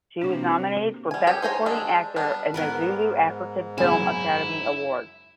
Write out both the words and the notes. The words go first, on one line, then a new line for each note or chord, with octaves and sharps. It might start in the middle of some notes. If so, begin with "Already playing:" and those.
She was nominated for Best Supporting Actor in the Zulu African Film Academy Awards.
C3 A#3 D4 F#4
G3 G#5
C#4 G4 G5 G#5
C5 G5 G#5 A#5
G#3 D4 G4 A4
G3 B3 D4
G#2 B3 A#4 B4
F#2 C#3 E4 G#5